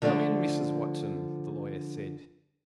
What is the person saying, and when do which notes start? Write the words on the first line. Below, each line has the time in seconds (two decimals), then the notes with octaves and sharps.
"Come in, Mrs. Watson," the lawyer said.
0.02 D3 F3 A3 C4 D4